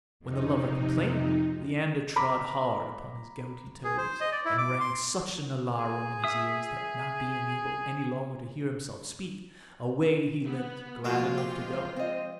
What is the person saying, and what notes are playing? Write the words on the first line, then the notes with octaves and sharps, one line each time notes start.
When the lover complained, Leander trod hard upon his gouty toes, and rang such an alarum in his ears, that, not being able any longer to hear himself speak, away he limped, glad enough to go.
F2 C3 D#4
A#5 B5 D6
G#4
C5
D#5
D5
E4
D6
C6
G#4
E5 D#6
B3
A#2 F3 G#3 F4 F#4 C6
G4 C5
C4 D#5